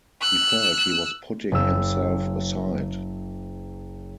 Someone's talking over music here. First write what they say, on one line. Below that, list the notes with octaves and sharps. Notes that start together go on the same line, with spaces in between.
He felt he was putting himself aside.
E6 F#6
F#1 E6